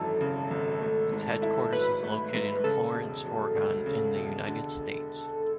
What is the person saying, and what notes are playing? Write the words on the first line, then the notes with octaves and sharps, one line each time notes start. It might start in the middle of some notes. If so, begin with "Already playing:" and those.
Its headquarters is located in Florence, Oregon in the United States.
Already playing: G#1 F#2 E3 A4
C#3
G#1
A3
G#2
E4
F#3 B4
A3
G#2
C#3 A4
E1
F#3
D2
C#3
E1
D3